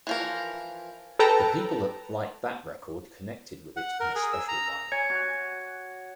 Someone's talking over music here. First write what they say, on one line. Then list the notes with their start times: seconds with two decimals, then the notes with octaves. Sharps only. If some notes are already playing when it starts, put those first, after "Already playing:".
The people that liked that record connected with it in a special way.
0.07 E3 F3 A#4
1.19 A4 B4 G5 A5 A#5
3.77 F#5
4.00 A#4
4.16 G#4
4.33 E6
4.48 A#5
4.92 C#5 G#5 G#6 C#7
5.10 F#4